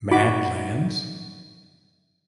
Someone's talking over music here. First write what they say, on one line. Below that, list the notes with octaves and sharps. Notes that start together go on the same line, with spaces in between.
Mad Lands?
D#4 F#4 B5 D6